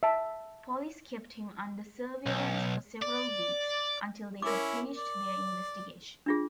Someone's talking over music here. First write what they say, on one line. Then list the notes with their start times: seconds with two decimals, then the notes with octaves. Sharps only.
Police kept him under surveillance for several weeks, until they had finished their investigation.
0.03 E5 A5
2.26 B1
3.02 D5
4.42 C#4 E4 A#4 D6
4.98 D5
6.26 D4 F4 G#4